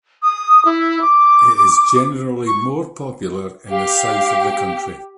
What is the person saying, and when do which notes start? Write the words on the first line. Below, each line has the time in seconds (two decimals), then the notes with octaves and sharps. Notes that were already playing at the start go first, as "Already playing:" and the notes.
It is generally more popular in the south of the country.
0.23 D#6
0.65 E4
1.01 D6
2.47 C#6
3.69 G4 F5